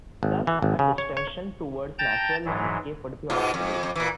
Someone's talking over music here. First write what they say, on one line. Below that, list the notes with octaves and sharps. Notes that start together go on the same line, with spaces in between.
Thus, a distinction towards natural landscape would be obsolete.
G#1
E3
G#1
C#3
C#5
C#5
G5 A5 A#5 G6 A6
G#2 E3 F#3
G#2 B2 F4
F2
F2
A#2 E3